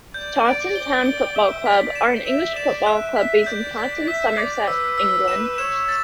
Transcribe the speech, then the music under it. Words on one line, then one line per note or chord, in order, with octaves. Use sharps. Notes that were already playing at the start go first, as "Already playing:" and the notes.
Taunton Town Football Club are an English football club based in Taunton, Somerset, England.
D5 G6
D7
G7
D5 G7
E5 G7
D5 B6
E7
E5 E7
D5 E7
E5 F#6
E5 B6
D5 G6
D5 B6
E5 B6
D5 D6
B4 E6
E6
B4 E7
C#5 E7
A6